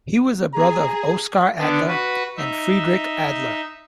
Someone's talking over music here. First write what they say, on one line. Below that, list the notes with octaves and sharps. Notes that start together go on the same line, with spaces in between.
He was a brother of Oskar Adler and Friedrich Adler.
G#4 A#5
D3 B3 D4
F#4 B4
D#4 E5